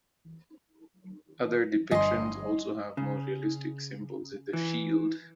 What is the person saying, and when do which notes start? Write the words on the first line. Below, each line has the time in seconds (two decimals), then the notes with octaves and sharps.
Other depictions also have more realistic symbols in the shield.
1.91 G1 G2 D#5 G#5 C6
2.97 C#3
4.53 E3